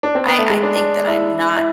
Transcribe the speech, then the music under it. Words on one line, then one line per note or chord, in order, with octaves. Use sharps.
I I think that I'm not
D4
C4
B3
A3
G#3
D4
D4
E4
E4